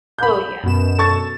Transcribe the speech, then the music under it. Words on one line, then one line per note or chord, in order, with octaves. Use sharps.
Oh, yeah.
B5 G6
F#2 B2 E7
A4 C#6 A6